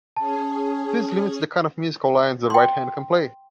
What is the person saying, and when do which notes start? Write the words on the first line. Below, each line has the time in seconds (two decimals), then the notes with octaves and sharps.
This limits the kind of musical lines the right hand can play.
0.16 C#4 G#4 A5
2.50 G5 C6